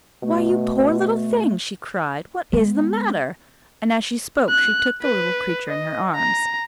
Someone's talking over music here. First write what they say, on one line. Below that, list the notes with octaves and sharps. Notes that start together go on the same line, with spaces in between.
"Why, you poor little thing!" she cried, "what is the matter?" and as she spoke she took the little creature in her arms.
B2 A3
G#3 B3
F#6
B4
D#5
A#5